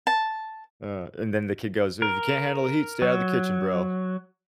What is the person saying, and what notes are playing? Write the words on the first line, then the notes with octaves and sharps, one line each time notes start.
Uh, and then the kid goes, "if you can't handle the heat, stay out of the kitchen, bro."
A5
A#4
F#3